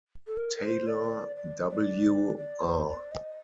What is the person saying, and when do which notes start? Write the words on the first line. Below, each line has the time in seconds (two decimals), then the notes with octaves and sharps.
Taylor, W. R.
0.27 A4
0.37 A#4
0.56 A#4
0.62 C5
0.87 D5
1.36 D5
1.70 D5
2.37 D5
2.62 C5
2.87 D5
3.12 D#5